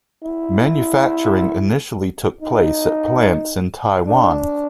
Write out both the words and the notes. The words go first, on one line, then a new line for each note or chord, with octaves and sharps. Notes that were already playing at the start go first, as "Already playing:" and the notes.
Manufacturing initially took place at plants in Taiwan.
E4
D#4
D4